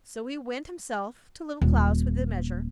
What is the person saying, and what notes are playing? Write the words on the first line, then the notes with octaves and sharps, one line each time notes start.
So he went himself to Little Klaus with the measure.
D#1